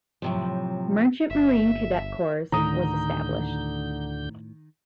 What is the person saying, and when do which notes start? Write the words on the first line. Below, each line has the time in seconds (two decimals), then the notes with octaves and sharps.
Merchant Marine Cadet Corps was established.
0.22 A2 C3 F3 F#3
1.30 G1 E5
2.52 D2 A2 D3 D#3 A#5 D#6 G6